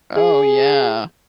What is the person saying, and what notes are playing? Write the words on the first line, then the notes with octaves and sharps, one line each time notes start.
Oh yeah.
G#4